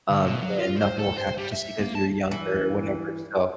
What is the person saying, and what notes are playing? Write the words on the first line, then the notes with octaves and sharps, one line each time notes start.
um, and nothing will happen just because you're younger or whatever," so,
D2
B2
F#3
F4
C5
A4
C5
G3
E5
A#3
A5
E3